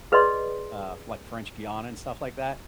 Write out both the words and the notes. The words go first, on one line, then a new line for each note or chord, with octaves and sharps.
uh, like, French goan and stuff like that.
G#4 B4 D5 D#5 C6